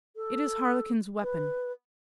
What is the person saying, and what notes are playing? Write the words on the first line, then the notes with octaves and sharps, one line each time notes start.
It is Harlequin's weapon.
A4
B4